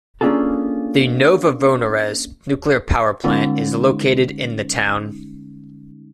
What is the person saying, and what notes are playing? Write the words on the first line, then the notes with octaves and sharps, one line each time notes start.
The Novovoronezh Nuclear Power Plant is located in the town.
A#3 C#4 D4 F4 G#4 A4
D3 G3 G#3 C#4 D#4